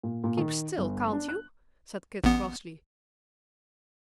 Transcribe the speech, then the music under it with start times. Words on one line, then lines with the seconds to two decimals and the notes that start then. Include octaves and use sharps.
"Keep still, can't you?" said Kit crossly.
0.03 A#2
0.24 A#2
0.37 D#3
0.78 G1
1.13 D4
1.28 F#6
2.24 A1 B3